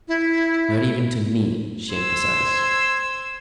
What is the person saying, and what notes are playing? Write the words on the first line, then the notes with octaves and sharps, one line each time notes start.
"Not even to me," she emphasized.
E4
C5 E6 G#6